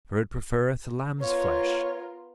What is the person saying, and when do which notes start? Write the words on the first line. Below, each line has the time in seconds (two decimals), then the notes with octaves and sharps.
For it preferreth lamb's flesh.
1.20 B3 F4 A#4 C#5